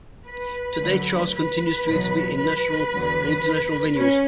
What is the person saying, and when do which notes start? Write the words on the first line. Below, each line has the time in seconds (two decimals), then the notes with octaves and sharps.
Today, Charles continues to exhibit in national and international venues.
0.27 B4
0.80 D2 D3 F#3
1.33 B4
1.85 E2 B2 F#3
2.39 B4
2.91 E2 D3 F#3
3.98 C#4